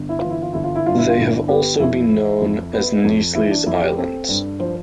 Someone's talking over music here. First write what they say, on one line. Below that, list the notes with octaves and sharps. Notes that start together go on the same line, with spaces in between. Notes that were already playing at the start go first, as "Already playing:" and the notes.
They have also been known as Neeslys Islands.
Already playing: G1
E4
E3 F4
E4
F4
G1 E4
F4
E4
G2 F4
E4
F4
G1 E4
B3 G4
F2 E4
E3
F2
B3
F2
E3 E4
D4
F2 E4
G4
C4 A4
G2
F3 C5